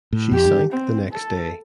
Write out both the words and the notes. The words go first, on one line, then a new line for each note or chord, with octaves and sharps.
She sank the next day.
A2
F2 G4
G2
C4
A4